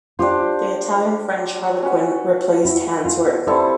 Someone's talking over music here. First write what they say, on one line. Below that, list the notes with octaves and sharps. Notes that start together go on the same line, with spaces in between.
The Italian-French Harlequin replaced Hanswurst.
D4 F4 G4 C5
C#4 F#4 B4
E4
F4
G3 C4 D#4 E4 A4